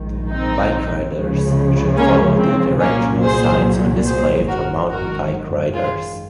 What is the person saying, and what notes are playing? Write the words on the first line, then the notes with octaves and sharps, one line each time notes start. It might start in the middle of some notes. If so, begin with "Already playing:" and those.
Bike riders should follow the directional signs on display for mountain bike riders.
Already playing: A#1 G#2 D#3
C4 D#4
C#2 C#3 F3
A#3 C#4
C4
C2 A#2 F#3 A#3 C#4
G#4 C5
G#4 C5
G#1 F#2 D#3 F#4 A#4
F#4 A#4
F4 G#4